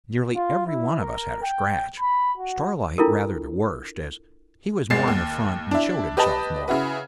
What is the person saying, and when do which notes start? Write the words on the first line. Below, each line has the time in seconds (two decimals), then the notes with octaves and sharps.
Nearly every one of us had a scratch--Starlight rather the worst, as he was more in the front and showed himself more.
0.35 F4
0.66 E4
1.00 A#4
1.43 G5
2.00 B5
2.38 F#4
2.98 D4 E4 F4 A4 A#4
4.90 G#1 E2 G#3 A6 C7
5.08 D#2
5.71 D4 E4
6.17 G4 B4 D#5 A5
6.68 C#3 E4 F#4 B4